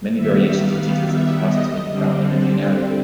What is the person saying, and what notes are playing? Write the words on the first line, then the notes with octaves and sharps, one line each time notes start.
Many variations and details of this process may be found in the main article.
D#3 G3 B3 E5
F5
E5
D#5
D3 G3 C4